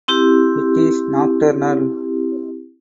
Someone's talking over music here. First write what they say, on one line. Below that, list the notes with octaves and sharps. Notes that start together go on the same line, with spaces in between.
It is nocturnal.
C4 E4 G4